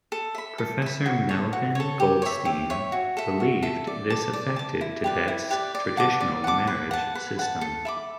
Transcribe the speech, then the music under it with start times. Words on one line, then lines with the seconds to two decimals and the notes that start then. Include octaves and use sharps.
Professor Melvyn Goldstein believed this affected Tibet's traditional marriage system.
0.12 A4
0.35 E5 B5
0.58 A4
0.82 E5 B5
1.06 F#4
1.29 A4 C#5
1.53 F#4
1.75 A4 C#5
2.00 G4
2.22 C#5 E5
2.45 G4
2.70 C#5 E5
2.92 F#4
3.17 A4 E5
3.40 F#4
3.63 A4 E5
3.87 D5
4.10 A5 D6
4.33 D5
4.56 A5 D6
4.81 E4
5.04 G4 B4 D5
5.28 E4
5.50 G4 B4 D5
5.75 D5
5.97 F#5 A5 D6
6.20 D5
6.44 F#5 A5 D6
6.67 B4
6.91 F#5 A5
7.15 B4
7.39 F#5 A5
7.61 A4
7.85 E5 B5 D6